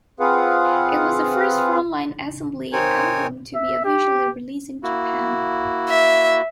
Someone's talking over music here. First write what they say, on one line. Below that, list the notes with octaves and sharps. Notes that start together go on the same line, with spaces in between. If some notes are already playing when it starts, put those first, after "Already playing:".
It was the first Front Line Assembly album to be officially released in Japan.
C4 F4 G#4 B4 F5 F#5
C4 D#4 A#4 C5 C#5 G#5
E5
G4
A#3 E4 F#4
E5